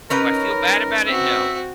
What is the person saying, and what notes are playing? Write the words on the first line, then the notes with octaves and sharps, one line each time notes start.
Do I feel bad about it? No.
C#4 D#4 A#4 B4
C4 F#4 E5